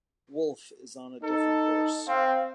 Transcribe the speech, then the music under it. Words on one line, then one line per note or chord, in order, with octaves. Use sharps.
Woolf is on a different horse.
D#4 A4
C4 F5